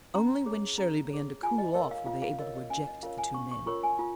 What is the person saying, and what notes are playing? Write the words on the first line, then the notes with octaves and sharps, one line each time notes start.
Only when Shirley began to cool off were they able to eject the two men.
C#4 A#5
G#4 C#5
C#4 A#5
G#4 C#5
F4 G#5
D#5
A#4 C#5 D#5
F5
F4 F5
F5
A#4 C#5 D#5
D#5
C#4 G#5
D#5
F4 A#4 C#5 F5
G#5
C#4 C#6
C#6
F4 A#4 C#5 C#6
G#5
F4